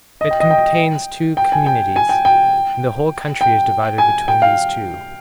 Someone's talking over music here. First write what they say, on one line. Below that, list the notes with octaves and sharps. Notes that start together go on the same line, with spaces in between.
It contains two communities, and the whole country is divided between these two.
D#5
G5
D#5
G5
G5
G#5
G5
G#5
G5
G5
G5
G#5
G5
F5